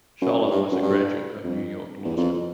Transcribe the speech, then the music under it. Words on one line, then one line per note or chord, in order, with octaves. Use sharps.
Scholer was a graduate of New York Law School.
F#2
G#2
G2
F#2
G2
F2
E2
F2